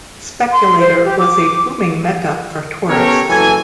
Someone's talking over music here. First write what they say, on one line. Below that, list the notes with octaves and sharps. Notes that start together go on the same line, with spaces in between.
Speculator was a "booming Mecca" for tourists.
C6
C5
G4
D6
B3 C#4 G4 A4 A#4 C#5
F#1 E3 F#3 A4 G#5